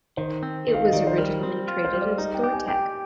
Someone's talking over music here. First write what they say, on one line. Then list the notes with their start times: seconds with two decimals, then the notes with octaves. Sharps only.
It was originally traded as Thortec.
0.17 D#3 C5
0.43 C4
0.68 D#3
0.73 F5
0.85 D#5
0.93 D#3 D5
1.07 C5
1.18 G3 A#4
1.43 C4
1.68 F4
1.85 C5
1.93 G3
2.01 D5
2.18 D#4 D#5
2.35 G5
2.44 G4
2.52 G#5
2.68 G4 G5